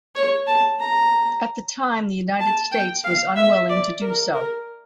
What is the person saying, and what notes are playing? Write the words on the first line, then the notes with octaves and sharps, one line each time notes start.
At the time the United States was unwilling to do so.
C#5
A5
A#5
A5
G5
F5
E5
D5
A#4
A#4